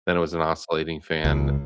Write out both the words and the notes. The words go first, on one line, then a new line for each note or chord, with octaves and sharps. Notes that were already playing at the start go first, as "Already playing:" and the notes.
then it was an oscillating fan.
C#2